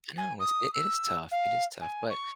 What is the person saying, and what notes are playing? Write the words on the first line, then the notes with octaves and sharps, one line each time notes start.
I know, it's it is tough. It is tough, but
G#5
D#6
E6
F5
G#5
C#6